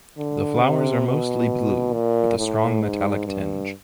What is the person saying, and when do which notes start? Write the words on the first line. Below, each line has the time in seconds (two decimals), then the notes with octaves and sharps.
The flowers are mostly blue, with a strong metallic tinge.
0.17 D3
0.61 C3
1.06 B2
1.93 A#2
2.37 A2
2.82 G#2
3.26 G2